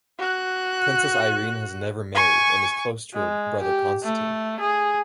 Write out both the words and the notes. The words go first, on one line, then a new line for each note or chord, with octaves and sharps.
Princess Irene has never married and is close to her brother, Constantine.
F#4 F#6
G#5 C#6
G#3
G4
A3
G#4